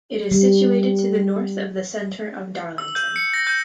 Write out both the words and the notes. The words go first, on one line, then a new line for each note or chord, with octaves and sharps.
It is situated to the north of the centre of Darlington.
G3
E6
G6
C#7
A#6
G6